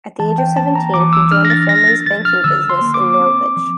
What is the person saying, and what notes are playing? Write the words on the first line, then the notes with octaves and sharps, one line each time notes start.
At the age of seventeen he joined the family's banking business in Norwich.
E3 A5
G5
A#3 A5
A#5
E3 D6
E6
D4 F6
A#6
A6
F3 A#6
A6
F3 A6
F6
D3 E6
C6
A#3
D6
C4
F3